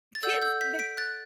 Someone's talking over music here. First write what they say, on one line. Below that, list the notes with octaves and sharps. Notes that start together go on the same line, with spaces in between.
kids, the
A6
A4 D5 F#5 E6 G6
E6 G6
G6 B6
B6 D7
F#6 A6